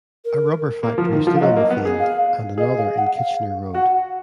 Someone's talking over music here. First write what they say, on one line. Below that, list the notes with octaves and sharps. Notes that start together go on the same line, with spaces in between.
A rubber factory stood on the field, and another in Kitchener Road.
A#4
A#3
F3
D#3
F3
F5
F#3 D#5
A#3
B3
G#4
F5
G#4 D#5
F5
F#5
F5
F#4 F#5